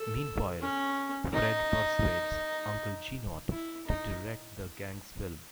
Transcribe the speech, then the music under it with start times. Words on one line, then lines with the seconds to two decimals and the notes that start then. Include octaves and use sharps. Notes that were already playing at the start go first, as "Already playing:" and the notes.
Meanwhile, Fred persuades Uncle Jeannot to direct the gang's film.
Already playing: A4
0.61 C#4
1.33 D#4
3.51 E4
3.87 D#4